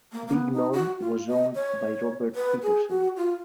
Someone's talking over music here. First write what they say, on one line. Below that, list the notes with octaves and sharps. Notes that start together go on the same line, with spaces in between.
Big Norm was owned by Robert Peterson.
A#3
A#3
B3
D#4
F#4
F4
D#5
C#5
B4
G#4
F#4
F4